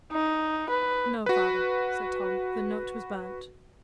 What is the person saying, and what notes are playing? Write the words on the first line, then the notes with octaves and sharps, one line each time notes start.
"No, father," said Tom; "the note was burnt."
D#4
B4
F#4 B4